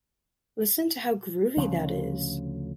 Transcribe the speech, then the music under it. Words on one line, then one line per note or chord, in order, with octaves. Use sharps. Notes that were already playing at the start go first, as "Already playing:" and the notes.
Listen to how groovy that is!
D2 C#3 F3 C#4